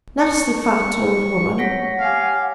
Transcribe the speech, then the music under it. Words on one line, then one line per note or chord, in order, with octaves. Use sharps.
Nasty fat old woman!
C#6
C#5 F#5 A#6 B6
G4 F5 G#5